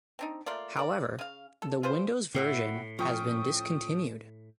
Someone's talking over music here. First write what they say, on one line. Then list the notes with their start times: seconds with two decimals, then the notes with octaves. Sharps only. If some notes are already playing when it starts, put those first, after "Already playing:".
However the Windows version has been discontinued.
0.19 C4 D4 D#4
0.46 A3 A#3 F4 D5
0.77 A#4 D5
1.19 C#3 F5
1.62 A4
1.83 F4 G#4 B4 C5
2.35 A2 E4 F#4 G5
2.99 F3 C#4 G5 C#6 D#6